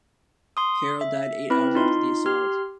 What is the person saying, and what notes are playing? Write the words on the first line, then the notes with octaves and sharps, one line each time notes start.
Carroll died eight hours after the assault.
C6 D#6
E5
C4 E4 B4 B5
D#4 F4 C6
G4 C6 F6